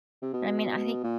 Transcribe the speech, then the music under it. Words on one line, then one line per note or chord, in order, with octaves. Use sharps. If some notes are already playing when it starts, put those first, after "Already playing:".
I mean, I think
C3
B2
A#2